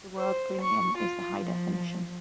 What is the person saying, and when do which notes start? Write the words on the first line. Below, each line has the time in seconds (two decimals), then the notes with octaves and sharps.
The World Premium is the high definition.
0.17 C5
0.61 C#6
0.97 F4
1.41 F3